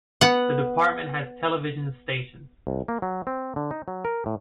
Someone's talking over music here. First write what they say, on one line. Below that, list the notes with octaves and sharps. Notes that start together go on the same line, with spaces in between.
The department has televisions stations.
B3 F#5
C2
A#3
F#3
C4
D3
D#4
F#3
A#4
A2